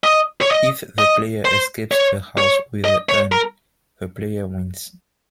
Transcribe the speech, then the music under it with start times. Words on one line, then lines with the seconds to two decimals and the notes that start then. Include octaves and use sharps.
If the player escapes the house with the urn, the player wins.
0.04 D#5
0.41 C#5
0.51 D#5
0.98 D#5
1.45 C5
1.91 C#5
2.38 C#5
2.85 D#5
3.09 C#5
3.32 A#4